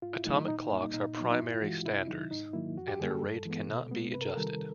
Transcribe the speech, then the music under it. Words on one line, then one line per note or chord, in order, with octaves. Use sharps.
Atomic clocks are primary standards, and their rate cannot be adjusted.
G#2 F4
E4
D#3 F#3 A3 D#4
D#4
A#2 D#4
D#4
G3 A#3
D#4
A#2 D#4
F#3 B3 D#4
D#4
G2 E4
F4
E3 G#3 F#4
C3 E4
D#3 F#3 D#4
G#2 D#4
D#3 F#3 A#3 E4
F2 F#4
G4
D3 G3 A#3 G#4
A4
G2
E3 G#3 B3
B2
G#3 B3
C3 B4
A#4
A4
D#3 G3 A#4